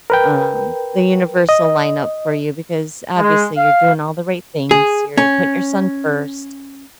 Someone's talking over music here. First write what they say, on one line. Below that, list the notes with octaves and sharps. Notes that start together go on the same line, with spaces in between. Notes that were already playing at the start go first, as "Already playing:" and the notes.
Um, the universe'll lineup for you, because, obviously, you're doing all the right things, you're putting your son first,
A#4 B4 G5
D#5
G#3
F5
G#4
C#4